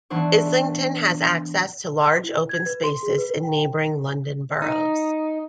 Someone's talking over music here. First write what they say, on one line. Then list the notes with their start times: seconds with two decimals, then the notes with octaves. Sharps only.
Islington has access to large open spaces in neighbouring London boroughs.
0.10 E3 B3 D4 C5 C#6
2.24 E4
2.49 G#6
2.66 B4
2.84 C6
3.03 G#4
3.18 B4
3.43 G5
4.62 D#4